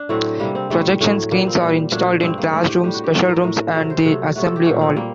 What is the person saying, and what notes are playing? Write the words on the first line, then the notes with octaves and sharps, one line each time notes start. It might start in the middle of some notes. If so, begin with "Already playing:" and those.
Projection screens are installed in classrooms, special rooms and the assembly hall.
Already playing: D4
A2 F#3 A3 C4
C3 G3 A#3
C4
A2 G3 A3
A2 F#3 A3
A#2 G3 A#3
C4
A#2 G3
A#2 F#3 A3 D4
G2 D3 A3 C4
A#3
A2 A3 C4
G4
A2 G3 G4
F#4
G4
A2 F#3 A3 A#4
A#4
A2 A3 A#4
C3 F#3 A3 A#4
C5
C3 F#3 A3 A4
C3 F#3 A3 F#4
A4
G4
A#2 F#3 A3 F#4
C4
G3 A#3